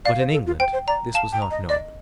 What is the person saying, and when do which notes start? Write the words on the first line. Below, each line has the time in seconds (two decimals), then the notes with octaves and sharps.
But in England this was not known.
0.05 D5 F5
0.19 C5
0.33 A4
0.46 F4
0.59 C5 G5
0.73 C5
0.87 D5 A#5
1.14 F5 A5
1.33 G5
1.42 A#5
1.51 D#5
1.69 D5 D#5